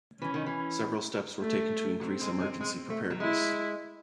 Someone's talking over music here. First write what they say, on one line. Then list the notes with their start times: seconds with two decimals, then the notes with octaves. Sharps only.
Several steps were taken to increase emergency preparedness.
0.21 E3 C#4
0.34 D#3
0.46 E3
1.41 A3
2.01 F#3 C4
2.21 G#3
2.40 G#3
2.60 G#3
2.90 A3
3.10 F#3
3.20 G#3 E4